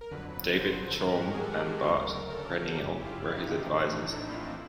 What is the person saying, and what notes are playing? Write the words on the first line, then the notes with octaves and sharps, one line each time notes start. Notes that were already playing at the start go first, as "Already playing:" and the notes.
David Chaum and Bart Preneel were his advisors.
A#4
G1 F2 D3 F#3 B4
B4
C5
A4
G#2 D#3 G#3 A#4
F#4
G4
G#4
A4
D2 C#3 F#3 A3 A#4
A4
F#4
G1 F#2 C#3 G4
E4
F4
D#4
A#1 A2 E3 A3 C4 D4
D#4
D#4
E4
F4
E4